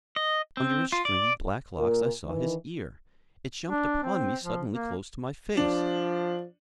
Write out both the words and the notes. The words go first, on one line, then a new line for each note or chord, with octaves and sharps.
Under his stringy black locks I saw his ear; it jumped upon me suddenly close to my face.
D#5
C4
F4
D5
A#2 A#4
D#3 E3
D4
C4
F3
A#3
F3 D4